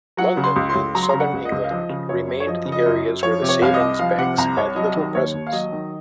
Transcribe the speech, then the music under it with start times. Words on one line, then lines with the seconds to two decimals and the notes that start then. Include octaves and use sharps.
London and southern England remained the areas where the savings banks had little presence.
0.17 F#3 F#5
0.37 C#3
0.44 C6
0.56 C#2
0.69 C6
0.75 C#2
0.95 F#3 A#5
1.03 C6
1.09 C#3 A#5
1.20 F#5
1.33 C#2
1.45 D#5
1.52 C#2
1.64 F5
1.71 F3 D#5
1.89 C#3
2.09 F#2 C#5
2.28 F#2
2.40 C#5
2.47 F3 D#5
2.66 C#3
2.72 D#5
2.86 F#2
3.04 F#2
3.23 F3 C#5
3.42 C3
3.49 C#5
3.62 C2 F5
3.74 D#5
3.80 C2
3.99 F3 F5
4.18 C3 F#5
4.38 C2 A#5
4.57 C2 C#5
4.76 F#3 D#5
4.95 D#3
5.15 D#2 C#5
5.34 D#2
5.47 F5
5.52 F#3 D#5
5.72 D#3